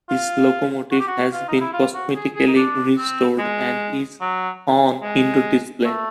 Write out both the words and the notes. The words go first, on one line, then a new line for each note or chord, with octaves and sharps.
This locomotive has been cosmetically restored, and is on indoor display.
F4
F#4
G4
F#4
F4
D#4
E4
F4
F#4
G#4
G#4
D#4
D4
C4
G#3
F#3
G#3
A3